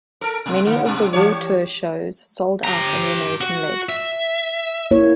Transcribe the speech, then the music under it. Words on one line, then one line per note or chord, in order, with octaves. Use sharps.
Many of the War Tour shows sold out on the American leg.
A4 A#4
B2
D3 A#3
G2 B2
E3 G4 C#5
G4 A#5
F#4
E5
A#3 E4 C#5